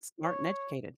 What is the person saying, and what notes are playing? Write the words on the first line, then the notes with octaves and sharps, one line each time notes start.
smart and educated.
C#5